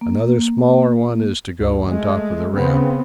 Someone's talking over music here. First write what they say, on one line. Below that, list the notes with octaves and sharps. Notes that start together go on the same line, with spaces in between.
Another smaller one is to go on top of the Ramp.
A#3
D2
G#3 A3
C#3 B3 C4